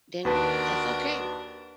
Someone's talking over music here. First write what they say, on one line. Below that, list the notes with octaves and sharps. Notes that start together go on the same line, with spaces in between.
then, that's okay,
D#2 D4 F#4 A#4 B4 A5